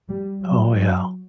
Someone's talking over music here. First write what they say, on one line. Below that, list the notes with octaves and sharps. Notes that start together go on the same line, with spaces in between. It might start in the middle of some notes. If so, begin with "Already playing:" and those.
Oh yeah,
G3
F#3